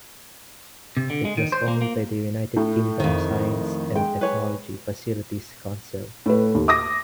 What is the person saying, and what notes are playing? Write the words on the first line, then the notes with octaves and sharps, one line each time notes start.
It was owned by the United Kingdom Science and Technology Facilities Council.
C3
D3
G#3
D#3
C5
A#3
A#3
A2
F2 D#3
G#3 G5
B4 C#5 G#5
A2 B4
D#2
D6 D#6 A#6